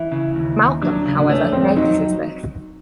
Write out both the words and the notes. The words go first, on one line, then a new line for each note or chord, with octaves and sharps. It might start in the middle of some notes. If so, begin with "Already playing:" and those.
Malcolm however notices this.
Already playing: E3 E4
C#3
D#2
D#2
F#3 D4
C#3
D4
A3 C#4
F2 C4
F#3 D#4